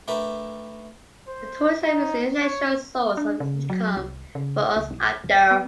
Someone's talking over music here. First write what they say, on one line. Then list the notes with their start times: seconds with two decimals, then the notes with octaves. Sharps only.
The tourism is an essential source of income for Aust-Agder.
0.08 A3 D4 G4 A#4 B4 E5
1.28 C5
1.84 D#4
2.40 C#5
3.17 D4
3.40 C#3
3.70 F#3
3.96 C2
4.35 C#3
4.76 C#2
4.90 B1
5.24 D#1
5.51 B3